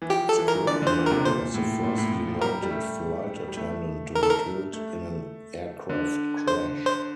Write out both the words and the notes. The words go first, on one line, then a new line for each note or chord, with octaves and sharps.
Scribner was the first United flight attendant to be killed in an aircraft crash.
E3
F3 G4
A4
E3
A#4
D3 D5
D3 C5
F3
A#4
C3
A#2 C5
A2
A#2
A2
A2
F3
G3 A#4
G3
A3
G3
A3
A#4
A4
A#4
A3
D3
C5
C5